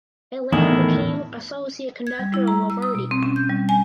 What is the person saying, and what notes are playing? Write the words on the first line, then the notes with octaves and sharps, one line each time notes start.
He later became associate conductor of La Verdi.
E2 A2 D#3 E4
G#6
G3
E4
A#5
E6
D#6
B2
C4
C#4
G6
G3
G#5